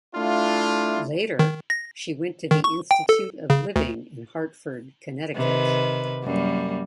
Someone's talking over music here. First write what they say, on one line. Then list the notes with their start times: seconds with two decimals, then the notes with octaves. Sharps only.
Later, she went to the Institute of Living in Hartford, Connecticut.
0.14 A3 D4 E4 F4
1.39 D#3
1.70 A#6
2.51 D#3
2.64 C#6
2.91 G5
3.09 A4
3.50 C#3
3.76 D2
5.36 C3 D#3 B4
6.24 F#2 G3 A#3